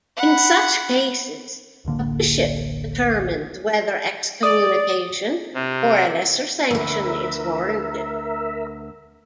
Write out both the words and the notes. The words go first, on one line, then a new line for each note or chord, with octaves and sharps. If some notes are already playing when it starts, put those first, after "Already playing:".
In such cases, a bishop determines whether excommunication or a lesser sanction is warranted.
F#5 B5
D1 A1 D3 A#3
D5 D#6
C3
D2 A#4 B4 E5